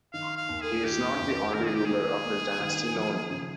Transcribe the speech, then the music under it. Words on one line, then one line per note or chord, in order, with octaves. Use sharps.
He is not the only ruler of his dynasty known.
D#3 F5
F5
D#2
G#4
D#3 G4
F1
D#3 A#4
G#4
G4
A#3 G#4
A#3
D#3
F3
C#3